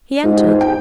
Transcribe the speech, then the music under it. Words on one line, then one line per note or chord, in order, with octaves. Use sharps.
He entered.
G#2 F4
G4
G#4
G5